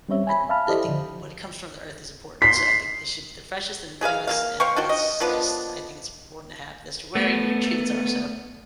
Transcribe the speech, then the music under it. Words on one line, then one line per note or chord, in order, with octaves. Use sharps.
I I think when it comes from the earth is important, so I think this should be the freshest and the cleanest, and that's just I think it's important to have this to where your nutrients are, so,
G3 C4 C#4 C#5 E5
G#5 B5
E5 F5 A5 B5 F6
E4 G4 A4 C5 D5 D#5
D3 F3
C6 B6
F#3 G#4 B4 F5
A#3 D4 F5
C5 F5 G5 C#6
D#3 D4 F#4 G5
D#5
D#3 F3 B3 D4
A3 B3